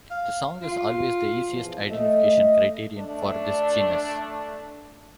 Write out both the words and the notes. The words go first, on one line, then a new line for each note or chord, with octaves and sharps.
The song is always the easiest identification criterion for this genus.
F5
F4
E2 F3
A3 D#5
A3 D4